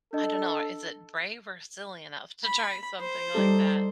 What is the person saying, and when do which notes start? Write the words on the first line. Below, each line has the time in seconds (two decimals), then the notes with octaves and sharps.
I don't know, is it brave or silly enough to try something like that?
0.13 D4 A4 D#5
2.44 B5
3.00 C5
3.34 G3 D#4 A4